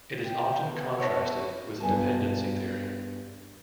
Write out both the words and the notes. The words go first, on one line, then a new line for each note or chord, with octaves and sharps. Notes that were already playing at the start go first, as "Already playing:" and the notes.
It is often contrasted with Dependency theory.
G5
B3
A4 C#5 E5
G2 B3 G#5 A5